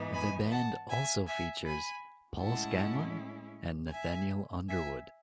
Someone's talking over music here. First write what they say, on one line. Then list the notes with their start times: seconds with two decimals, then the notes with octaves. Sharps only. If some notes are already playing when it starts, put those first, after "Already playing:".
The band also features Paul Scanlan and Nathanael Underwood.
Already playing: G#2 E3 B3 D#4
0.13 G#5 B5
0.51 F#5 A5
0.89 E5 G#5
1.27 E5 G#5
1.65 G#5 B5
2.40 A2 G#3 C#4 E4 F#5 A5
3.92 E5 G#5
4.68 E5 G#5